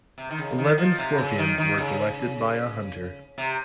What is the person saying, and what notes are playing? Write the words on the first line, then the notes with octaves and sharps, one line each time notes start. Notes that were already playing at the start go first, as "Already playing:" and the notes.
Eleven scorpions were collected by a hunter.
C3
D#3
C#3
D#3
F3
C3
C#3
D#3
D#3
C#3
C3